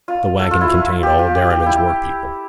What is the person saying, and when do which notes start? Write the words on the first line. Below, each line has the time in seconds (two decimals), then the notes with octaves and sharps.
The waggon contained all Derriman's workpeople.
0.08 F4
0.40 A4
0.51 F4
0.61 E4
0.71 F4
1.03 G4
1.19 F4
1.35 G4
1.50 G4
1.66 E4